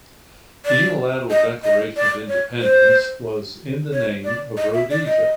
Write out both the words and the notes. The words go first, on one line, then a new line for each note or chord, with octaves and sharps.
The Unilateral Declaration of Independence was in the name of Rhodesia.
D5
D#5
D#5
D5
C#5
C5
C#5
D5
D#5
E5
D5
D#5